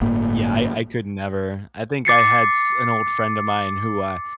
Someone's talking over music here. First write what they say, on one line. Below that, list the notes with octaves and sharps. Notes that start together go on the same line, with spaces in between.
Yeah. I I could never. I think I had s an old friend of mine who, uh,
G1 A2 A#3
D6 A6 C7 C#7